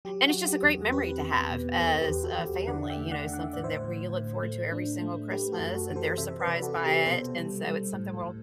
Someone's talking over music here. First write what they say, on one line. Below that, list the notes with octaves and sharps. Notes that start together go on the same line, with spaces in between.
and it's just a great memory to have as a family, you know, something that we you look forward to every single Christmas, and they're surprised by it. And so, it's something we'll
F#3 G4
F#4
F#3
G4
E2
C4 G4 B4
E2
B2
E2 A4 C5
G4 B4
E2
F#4 A4
E2
G4
D3 D5 F#5
E5 G5
A3
D5 F#5
D3
F#5
E5
A2 D5
C5 E5
A2
A2
A3
D4
A3
A3 G4 B4
F#4 A4
F#2
F#4 A4
E3
A4 C5
C3 C5 E5
B4 D5
C3
F#4 A4
C3
G4
B2 A4 C5
G3
G3
A2
A2